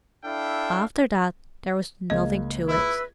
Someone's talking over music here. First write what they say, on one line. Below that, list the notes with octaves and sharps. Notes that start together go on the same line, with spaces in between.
After that there was nothing to it.
D4 E4 A4 E5 F5 G5
C#2 A#3 D#5 G#6
E4 B4 E5 E6